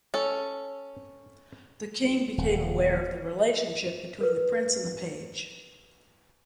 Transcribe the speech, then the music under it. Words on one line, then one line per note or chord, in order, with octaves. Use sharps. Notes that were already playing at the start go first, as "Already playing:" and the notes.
The king became aware of the relationship between the prince and the page.
C#4 A4
D#1
A#4 B4